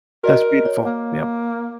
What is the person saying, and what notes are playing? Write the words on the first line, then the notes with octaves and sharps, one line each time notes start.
That's beautiful, yep.
F#4 A#4 D5 D#5
C#5
A#3